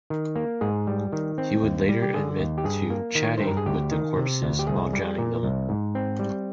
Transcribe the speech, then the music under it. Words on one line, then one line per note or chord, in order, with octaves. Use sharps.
He would later admit to "chatting" with the corpses while drowning them.
D#3
A#3
G#2 G#4
G3
D#3
C4
D#2
G3
G4
D3 G#4
D#2
G4
G2 G#4
A#3
D#3
G2 C5
A#4
G#4
D2 G4
D#3
C3
D2
G4
C2 G#4
G3
A#2
C2
G#2
C4
G3